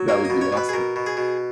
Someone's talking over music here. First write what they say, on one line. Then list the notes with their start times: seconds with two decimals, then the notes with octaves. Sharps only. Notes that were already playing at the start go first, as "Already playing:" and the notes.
That would be awesome.
Already playing: F#3
0.08 A#3 C#5
0.25 D#5
0.30 B2
0.41 C#5
0.52 B2 B4
0.69 G#4
0.73 B2 A#4
0.96 B2
1.06 G#4
1.17 B2